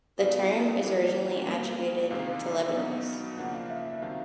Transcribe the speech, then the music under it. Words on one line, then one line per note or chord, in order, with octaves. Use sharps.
The term is originally attributed to Leibniz.
B2 F#3 B3 E4 G#4 F5
E3 G3 A#3
B2 G3 A#3 F5
E2 C3 D#3 G#3 F5
B2 F#3 B3 D#4
C#3 F3 A#3 D4 F#5
F5
E5
E5
C3 D#3 F#3 F5